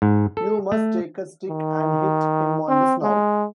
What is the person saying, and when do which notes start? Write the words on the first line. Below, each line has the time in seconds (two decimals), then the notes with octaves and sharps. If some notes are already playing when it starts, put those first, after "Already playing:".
You must take a stick and hit him on the snout!
0.02 G#2
0.37 A4
0.72 A3
1.50 D#3
2.68 C4
3.03 G#3